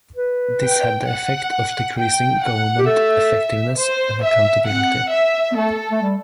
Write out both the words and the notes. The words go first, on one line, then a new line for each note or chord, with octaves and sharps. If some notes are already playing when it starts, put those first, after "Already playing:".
This had the effect of decreasing government effectiveness and accountability.
B4
G5
F#5
G5
F#5
G4
A4 E5
C5
E5
C4 F#5
E5
B3
A3 A4
A3
G3